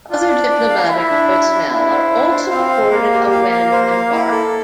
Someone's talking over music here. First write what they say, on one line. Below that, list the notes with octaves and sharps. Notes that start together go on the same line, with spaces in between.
Other diplomatic personnel are also afforded a when embarked.
D4 F4
D5
D5
F5
E4 E5
D4
E5
D4
D4 E4
C5
D4
C5
C4 F5
C5
A#3 F5
G4
F5
F5
C5
F5
E4
A4